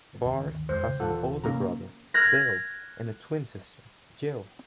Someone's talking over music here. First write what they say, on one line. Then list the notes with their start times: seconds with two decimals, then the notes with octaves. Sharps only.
Barth has an older brother, Bill, and a twin sister, Jill.
0.25 G2 D#3 C4
0.46 D2 D#3
0.69 F2 G#3 C5
0.86 C#3
1.00 D#1 E3 F4 A4 F#5
1.44 C3 F3 A#3 C#4 A#5
2.14 F6 F#6 G#6 A#6